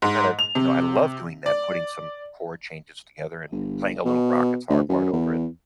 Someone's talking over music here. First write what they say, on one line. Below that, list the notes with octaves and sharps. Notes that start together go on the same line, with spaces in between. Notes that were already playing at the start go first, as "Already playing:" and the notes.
and kind of" you know, I love doing that, putting some chord changes together and and playing a little rock guitar part over it,
G#2
F7
C3
D5
G1
B2
D2
F#2
E2